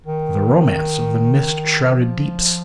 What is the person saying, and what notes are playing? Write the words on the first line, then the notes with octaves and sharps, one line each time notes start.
The romance of the mist-shrouded deeps.
D#3
D#3
F3